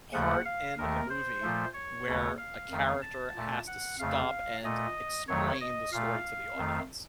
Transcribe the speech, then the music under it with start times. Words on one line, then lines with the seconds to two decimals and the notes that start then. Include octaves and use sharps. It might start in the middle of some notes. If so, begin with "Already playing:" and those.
part in a movie where a character has to stop and explain the story to the audience.
0.13 D#2 C#3 F3 A3 F#5
0.45 F5
0.78 D#2 D#3 A3 A#4
1.10 C5
1.42 A#2 F3 A3
1.74 C#5
2.07 D#2 C#3 A3
2.38 F5
2.71 F2 D#3 A3
3.02 A5
3.36 A#2 A3
3.67 F#5
3.99 F2 C#3 A3 F5
4.64 A#2 A3 D#5
5.28 F2 D#3 F#3 A3 C#5
5.61 D#5
5.92 A#2 A3 F5
6.57 F2 D#3 A3